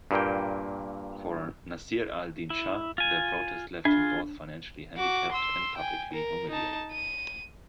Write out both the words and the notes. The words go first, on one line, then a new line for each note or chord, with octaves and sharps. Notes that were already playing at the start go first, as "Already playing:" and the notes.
For Nasir Al-Din Shah, the protest left him both financially handicapped and publicly humiliated.
G2 A#2 A#3 G5
E4
F4 G#5
D4 F4 G#4
F#4 D6
C6 E6
G5 G#5
A#4
D#4 A5
D#7